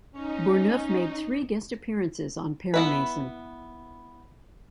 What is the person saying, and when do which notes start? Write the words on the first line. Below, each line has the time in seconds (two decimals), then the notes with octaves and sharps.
Bourneuf made three guest appearances on "Perry Mason".
0.15 C#4 D#4
2.74 B3 E4 B4